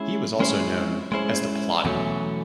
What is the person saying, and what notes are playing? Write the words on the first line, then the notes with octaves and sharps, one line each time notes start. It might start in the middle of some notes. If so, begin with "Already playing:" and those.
He was also known as "the plotter".
Already playing: G#3 C#4 E4 G#4
G#3 C#4 E4 G#4 C5
G#3 C#4 E4 G#4 C5
E2 B2 F#3 A3 C#4